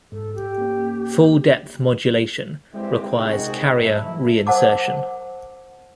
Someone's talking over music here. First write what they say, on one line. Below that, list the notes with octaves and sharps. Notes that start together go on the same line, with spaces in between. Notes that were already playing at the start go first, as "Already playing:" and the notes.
Full depth modulation requires carrier re-insertion.
G#2 A4
G4
A#3 C#4
G2 D3 G#3 C4 E4 G4
A#1 C3 G#3 C4 D#4 F#4 G#4
G#2 F#3 A3 E4
A#4 C5 F#5 A5 D6